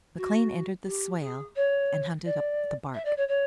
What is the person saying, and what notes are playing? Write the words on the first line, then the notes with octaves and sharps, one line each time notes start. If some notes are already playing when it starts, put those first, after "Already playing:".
McLean entered the swale and hunted up the bark.
F#4
G4
G#4
C#5
D5
E5
D5
C#5
C#5